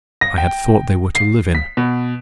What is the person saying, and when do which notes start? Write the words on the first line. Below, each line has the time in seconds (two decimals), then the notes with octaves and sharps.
I had thought they were to live in.
0.21 A#6
0.38 G5
1.15 C7
1.55 B6
1.77 B2